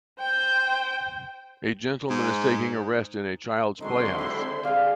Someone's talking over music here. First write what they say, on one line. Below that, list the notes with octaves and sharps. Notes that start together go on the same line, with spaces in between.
A gentleman is taking a rest in a child 's playhouse.
C5 G5
G#2
D3 F#3 G#3 C4 D#4 C6
E4 G4
G4 G#4 D5 F5 G#5